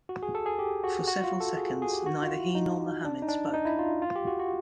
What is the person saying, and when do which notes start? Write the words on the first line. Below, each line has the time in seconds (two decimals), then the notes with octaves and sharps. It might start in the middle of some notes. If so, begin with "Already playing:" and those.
For several seconds neither he nor Muhammad spoke.
0.09 F#4
0.23 G#4
0.35 A4
0.46 G#4
0.59 G4
0.84 F#4
1.08 F#4
1.24 F4
1.40 A4
1.57 G#4
1.82 G#4
1.93 G4
2.06 F#4
2.22 F4
2.39 E4
2.55 D#4
3.05 D4
3.22 D#4
3.28 D4
3.54 D#4
3.65 E4
3.79 F4
4.02 F4
4.16 G4
4.27 F#4
4.39 F#4